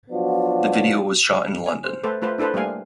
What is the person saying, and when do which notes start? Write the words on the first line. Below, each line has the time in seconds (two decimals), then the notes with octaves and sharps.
The video was shot in London.
0.11 F3 F#3 B3 D4 F4 F#4
1.66 G#5
1.84 C5
2.04 A3 A4 B4 C5
2.22 A3 F4 B4 C5
2.38 D4 E4 A4 B4 C5
2.54 G3 A3 A#3 F5 G#5